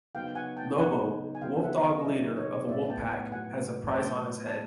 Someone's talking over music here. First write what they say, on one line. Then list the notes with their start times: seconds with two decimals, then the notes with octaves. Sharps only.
Lobo, wolfdog leader of a wolf pack, has a price on his head.
0.15 C#3 F#3 B3 D#4 F5 G5
0.35 F#5 G#5
0.57 G5 A5
0.78 C#3 F#3 B3 D#4 F#5 G#5
1.35 G#5
1.41 C#3 F#3 B3 D#4 F5 G5
1.63 E5 F#5
1.84 D#5 F5
2.05 C#3 F#3 B3 D#4 D5 E5
2.36 C#5 D#5
2.69 A2 F#3 B3 D5 E5
2.90 G5 A5
3.11 F#5 G#5
3.32 A2 F#3 B3 F#5 G#5
3.96 A2 F#3 B3 G5 A5
4.47 A5